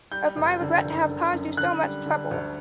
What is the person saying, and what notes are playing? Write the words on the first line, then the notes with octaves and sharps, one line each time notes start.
Of my regret to have caused you so much trouble.
G3 G6
F#1
D3
F#1
D3
F#2
D3 F#6
G3
D3
D2